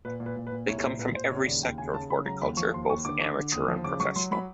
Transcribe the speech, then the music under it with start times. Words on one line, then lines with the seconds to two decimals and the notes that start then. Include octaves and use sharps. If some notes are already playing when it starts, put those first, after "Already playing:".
They come from every sector of horticulture, both amateur and professional.
0.05 A#2 B4
0.20 A#2
0.26 B4
0.36 A#2
0.47 B4
0.52 A#2
0.68 C2 C#5
0.79 C#5
0.84 A#2 C5
0.99 A#2 B4
1.15 A#2 C5
1.32 C#3 C#5
1.47 D#2 D5
1.63 D#2 G5
1.78 C#3 G#5
1.94 C#3 A5
2.10 C#3 B5
2.26 F#3 A#5
2.42 D#2 B5
2.57 F3 C#6
2.73 D#2 C6
2.89 D#2 C#6
3.05 D3 D6
3.21 D3 D6
3.37 D3
3.52 D#2 D#6
3.68 F3
3.84 C#3 D6
4.00 F#3 C#6
4.16 F#3 C6
4.31 F#3 B5